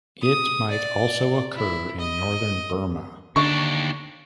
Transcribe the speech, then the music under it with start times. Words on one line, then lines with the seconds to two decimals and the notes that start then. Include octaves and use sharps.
It might also occur in northern Burma.
0.22 D#6
0.71 D5
1.55 E4
2.00 D#5
3.36 D#2 D3 D4 C#6